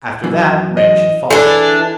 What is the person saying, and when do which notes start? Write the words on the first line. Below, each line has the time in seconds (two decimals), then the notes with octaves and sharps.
After that rain should follow.
0.24 F#2 E3
0.77 D#5
1.31 E3 D4 G#4 A4 A5